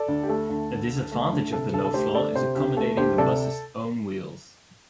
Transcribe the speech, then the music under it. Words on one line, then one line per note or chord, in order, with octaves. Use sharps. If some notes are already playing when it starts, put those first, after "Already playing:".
A disadvantage of the low floor is accommodating the bus's own wheels.
Already playing: A4 D5
D2
G4
A3 A4
D2
D3
D2
A3
D2
C3 A4
D2 A4
A4
A3 G4 C5
D2 A4 D5
C3 G4 C5
D2 G4
A3 A4
D2 G4 C5
C3 A4 D5